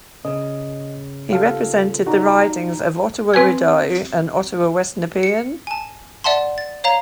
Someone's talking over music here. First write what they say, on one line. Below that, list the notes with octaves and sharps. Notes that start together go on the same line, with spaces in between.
He represented the ridings of Ottawa-Rideau and Ottawa West-Nepean.
C#3 D#5
F4 G4 A4 F5
D#4 F#4 D5 A#5 B5
C4 B4 G#5 G#6
C#7
G#5 A5
D5 E5 F#5 A5 C6
A6
C#5 F5 A#5